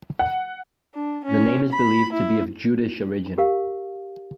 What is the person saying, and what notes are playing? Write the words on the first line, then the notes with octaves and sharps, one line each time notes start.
The name is believed to be of Jutish origin.
F#5
D4
C#4
B5
E4
G4 A#4 F5